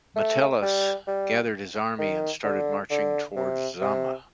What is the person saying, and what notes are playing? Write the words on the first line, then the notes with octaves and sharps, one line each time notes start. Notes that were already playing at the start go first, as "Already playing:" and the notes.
Metellus gathered his army and started marching towards Zama.
A3
G3
G3
D#3
D3
D3
C3
C3